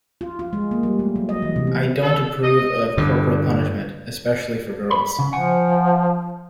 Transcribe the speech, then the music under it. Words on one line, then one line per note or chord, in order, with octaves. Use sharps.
I don't approve of corporal punishment, especially for girls.
F4
F4
G#3
A#3
G3
A3
F#3
D#5
E3
C3
C4
A4
D#5
G2 D3
B5
C#3
F3 F#5 G#5